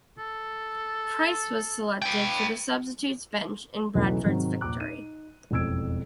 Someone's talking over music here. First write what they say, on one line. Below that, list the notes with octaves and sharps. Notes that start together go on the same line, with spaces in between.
Pryce was selected for the substitutes bench in Bradford's victory.
A4
B4 G5
B1 C#3 E3 F#3 A3 B4
G#2 C3 D#3 F#3
A#1 A#5 D6 F#6
D#4 D#7
E1 A1 F2 E6 G#6 D7